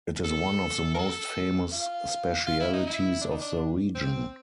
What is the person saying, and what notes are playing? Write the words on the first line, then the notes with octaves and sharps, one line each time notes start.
It is one of the most famous specialties of the region.
A4
A#4
A4
F4
F4
E4
D#4
E4
D4
D#4
D4
C4